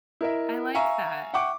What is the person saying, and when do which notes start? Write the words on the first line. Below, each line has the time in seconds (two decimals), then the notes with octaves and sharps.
I like that.
0.21 E4 A#4 D#5 E5
0.75 E5 F5 G#5 A#5 C#6
1.33 E5 F#5 G5 C#6 D6